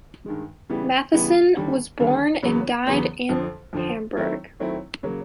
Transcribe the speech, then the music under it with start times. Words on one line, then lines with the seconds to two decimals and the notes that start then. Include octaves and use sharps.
Mattheson was born and died in Hamburg.
0.26 G2 D#3 G#3
0.69 C#3 E3 G3 B3
1.13 C#3 E3 G3 B3
1.57 D#2 D3 G3
2.00 D#2 D3 G3
2.43 E2 C#3 F#3 B3
2.86 E2 C#3 F#3 B3
3.29 F2 D3 F3
3.73 F2 D3 F3
4.16 D#3 F#3 A3 C4 E4
4.60 D#3 F#3 A3 C4 E4
5.03 C#3 F#3 A#3